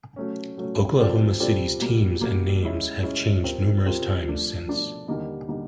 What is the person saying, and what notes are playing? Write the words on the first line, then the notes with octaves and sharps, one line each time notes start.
Oklahoma City's teams and names have changed numerous times since.
F#3 A3 C#4
F#3 A3 C#4
G3 C4 F4 A4 D5
G3 C4 F4 A4 D5
B2 G3 A#3
B2 G3 A#3
G#3 C#4 E4
G#3 C#4 E4
G3 C4 F4 A#4
G3 C4 F4 A#4
F3 A3 D4 F4
F3 A3 D4 F4
D#2 D3 G3 A#3 D#4
D3 G3 A#3 D#4